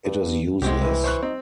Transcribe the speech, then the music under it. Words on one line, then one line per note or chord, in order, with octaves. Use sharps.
It is useless.
G2
C2 G#3 C4 F#4 G4
E3
C5 C#6 F#6
C4 D#4